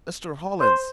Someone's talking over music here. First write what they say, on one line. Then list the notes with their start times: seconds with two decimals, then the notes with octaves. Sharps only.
"Mr. Hollins!"
0.60 C5